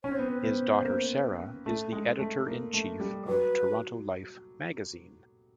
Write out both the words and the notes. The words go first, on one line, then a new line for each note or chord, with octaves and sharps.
His daughter Sarah is the editor-in-chief of "Toronto Life" magazine.
C#4 C#5
C4
B3 C5
C4
B4
B3 C5
A#3
A3
G#3
A3
A#3
A3
G3
F#3 B4